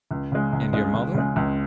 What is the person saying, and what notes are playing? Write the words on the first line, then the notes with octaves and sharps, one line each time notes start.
"And your mother?"
C#2
C#3 G#3
C#2
C#3 G#3
C#2
C#3 G#3
C#2